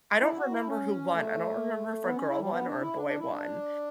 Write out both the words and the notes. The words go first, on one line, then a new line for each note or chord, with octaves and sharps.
I don't remember who won. I don't remember if a girl won, or a boy won,
E4
F#4
E4
C#4
A3
B3
C#4
E4
G3
B3
D4
E4
D4
D4
E4
D4